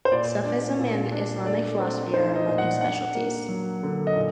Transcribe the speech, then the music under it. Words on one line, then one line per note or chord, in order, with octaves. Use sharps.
Sufism and Islamic philosophy are among his specialities.
C5
A#2 D5
D4
A#2
D4
A3 D5
C4
D#4 C5
D#5
A#2
F#5
D4 F#5
A#3
F#3
D3
D#5
A#2